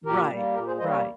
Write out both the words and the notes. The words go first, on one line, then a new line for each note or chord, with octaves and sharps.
Right. Right.
A#2 G4 A#4
G3 A#3
A#2 G4 A#4
G#4 C5
G3 A#3 C5 D#5
A#4 C#5